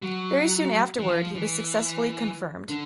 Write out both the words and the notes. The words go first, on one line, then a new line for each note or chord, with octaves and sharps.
Very soon afterward, he was successfully confirmed.
F#3
E3
F3
E3
D3